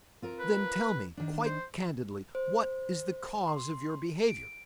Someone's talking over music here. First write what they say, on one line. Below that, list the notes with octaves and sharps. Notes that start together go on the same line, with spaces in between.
"Then tell me, quite candidly, what is the cause of your behaviour?"
C4 F4 A#4
B4
D#3 D4
C5
C5
C6
D7